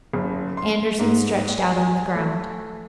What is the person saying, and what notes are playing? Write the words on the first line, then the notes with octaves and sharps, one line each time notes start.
Andersen stretched out on the ground.
F#1
C6
G#2
G#5
G#5
A3